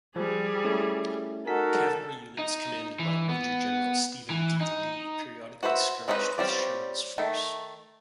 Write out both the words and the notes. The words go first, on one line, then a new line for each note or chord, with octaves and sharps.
Cavalry units commanded by Major General Stephen D. Lee periodically skirmished with Sherman's force.
F3 G3 G#4
A3 C#4 E4
D#4 F#4 A4 A#4 G#5 B6
D#4
E3
B3
E3
D#4
F#4 B4 C5 E5
G#3 C4 C#4 D#4 B4
G3 C4 C#4 F4 D5
D#3 A3